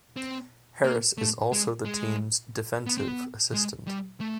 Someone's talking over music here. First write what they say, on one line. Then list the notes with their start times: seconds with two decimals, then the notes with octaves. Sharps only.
Harris is also the team's defensive assistant.
0.16 C4
0.84 A#3
1.18 A3
1.52 G#3
1.85 G#3
2.86 B3
2.98 C4
3.08 B3
3.53 G#3
3.87 G3
4.20 A3